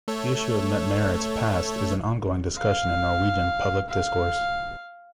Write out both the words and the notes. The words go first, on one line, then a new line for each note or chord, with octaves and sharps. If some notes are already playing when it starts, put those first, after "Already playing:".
The issue of Mette-Marit's past is an ongoing discussion in Norwegian public discourse.
A3 A4 C#5
F5
F5